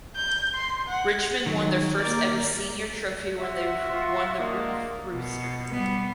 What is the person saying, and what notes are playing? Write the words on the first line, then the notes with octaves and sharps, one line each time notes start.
Richmond won their first ever senior trophy when they won the Roope Rooster.
G6
C6
F#5
D#3 F#3
A#3 A#4 D5 D6
F#4 E5 C6
F4
A#3 D4 D#5
B2
G3 B3